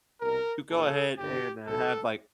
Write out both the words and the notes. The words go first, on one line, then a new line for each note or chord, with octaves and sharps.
You go ahead and, uh, have, like
C2 B2 A#4
A#1 A#2 A4
G1 G2 D3 G4
B1 A2 E3 A4